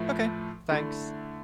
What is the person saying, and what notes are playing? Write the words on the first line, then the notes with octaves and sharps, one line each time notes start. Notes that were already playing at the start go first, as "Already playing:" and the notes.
Ok, thanks.
Already playing: A2 F3 A3 E4 B4
D3 A3 E4